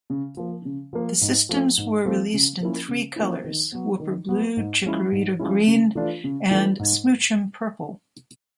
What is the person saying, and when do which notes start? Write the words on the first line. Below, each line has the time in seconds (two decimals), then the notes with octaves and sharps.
The systems were released in three colors: Wooper Blue, Chikorita Green, and Smoochum Purple.
0.10 C#3
0.37 F3 A#3
0.65 C#3
0.93 F3 A#3
1.21 G#2
1.49 F3 A3 C4
1.78 G#2
2.05 F3 A3 C4
2.33 C#3
2.60 F3 A#3 C#4 E4
2.88 C#3
3.16 F3 A#3 C#4 E4
3.44 D#3
3.72 F#3 B3
4.00 D#3
4.28 F#3 B3
4.57 G#2
4.84 F3 G#3 C#4 E4
5.12 G#2
5.39 F3 G#3 C#4 E4
5.67 C#3
5.95 E3 A3 D4 F4
6.24 C#3
6.51 E3 A3 D4 F4
6.79 G#2